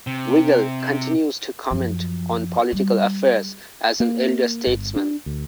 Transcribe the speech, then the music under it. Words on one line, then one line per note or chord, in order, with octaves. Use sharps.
Wiegel continues to comment on political affairs as an elder statesman.
C3
F#2 F3
G3
A#3
G1
D4
D2